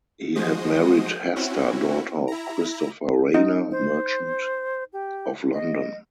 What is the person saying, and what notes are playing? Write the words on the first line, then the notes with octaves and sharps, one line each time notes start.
He had married Hester, daughter of Christopher Rayner, merchant, of London.
F3 G#3 F#4 C5 D#5 D#6
C4 C#4 E4 F#4
E4 A#5
D#4
C5
G4
D#5